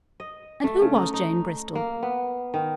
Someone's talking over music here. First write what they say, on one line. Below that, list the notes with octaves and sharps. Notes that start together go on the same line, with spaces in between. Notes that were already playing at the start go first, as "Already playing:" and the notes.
And who was Jane Bristol?
D#5
A3
C#3
D#4
D#4
A#3
B3
D#3